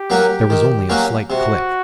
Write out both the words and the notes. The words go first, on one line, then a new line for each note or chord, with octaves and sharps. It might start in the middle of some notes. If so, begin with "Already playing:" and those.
There was only a slight click.
Already playing: G4
F#3 A#3 C#4 F#4
D#3
F#3 A#3 C#4 F#4
C3 F#4